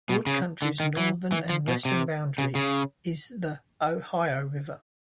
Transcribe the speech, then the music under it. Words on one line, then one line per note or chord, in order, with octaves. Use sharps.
Wood County's northern and western boundary is the Ohio River.
B2
C#3
D3
D#3
E3
E3
F3
B2
C3
C#3
C#3